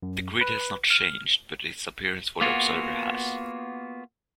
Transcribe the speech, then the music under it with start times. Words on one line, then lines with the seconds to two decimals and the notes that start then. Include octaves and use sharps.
The grid has not changed, but its "appearance" for the observer has.
0.03 F#2
0.41 B4
0.90 F6
2.41 A#3 B3 F4 F#4 G#4